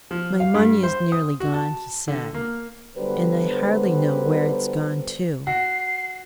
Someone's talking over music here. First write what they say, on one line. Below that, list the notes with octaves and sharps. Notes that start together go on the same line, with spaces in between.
"My money is nearly gone," he said, "and I hardly know where it's gone to."
F3
F5
G2
C5
D#6
F#4
A5
D3
A#3
D3 F#3 G3 B3 B4 C5
F#4 C7